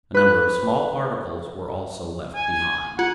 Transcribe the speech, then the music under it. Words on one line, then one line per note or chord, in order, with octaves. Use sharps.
A number of small articles were also left behind.
B4 F#6
G#5
F4 F#5